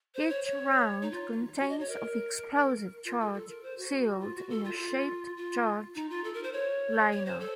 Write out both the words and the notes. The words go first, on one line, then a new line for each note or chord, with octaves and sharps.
Each round contains of explosive charge sealed in a shaped-charge liner.
C5
C#5
C#5
D#4
F4
F#4
D#5
C#5
A#4
F4
A4
A4
A#4
C5
F#4
F4
F#4
A4
F4
F4
F4
D#4
F4
A4
A#4
C5
C#5
C#5
C5
A4